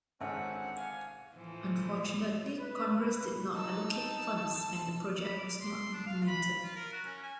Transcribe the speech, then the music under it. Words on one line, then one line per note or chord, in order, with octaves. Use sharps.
Unfortunately, Congress did not allocate funds and the project was not implemented.
G#1 D3 C4 C#4 F#5
F5 G#5
A2 E3 F3
B4
D#4 A5 E6
B5
D6
C6
D4
F5
B5
F4
A#4
F#4
C#4
G#5